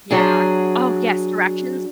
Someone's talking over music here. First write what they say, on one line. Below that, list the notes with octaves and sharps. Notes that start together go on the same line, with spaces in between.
Yeah. Oh, yes, directions?
F#3 D4 G#4